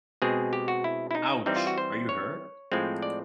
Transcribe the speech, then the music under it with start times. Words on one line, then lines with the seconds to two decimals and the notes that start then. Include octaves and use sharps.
Ouch! Are you hurt?
0.22 B2 G#3 C4 G#4
0.53 G4
0.68 F#4
0.84 E4
1.11 E4
1.15 D#4
1.46 E3 G3 C4 D#4
1.56 F4
1.67 F#4
1.78 C5
2.09 C#5
2.72 A2 F3 G#3 C4
3.02 D5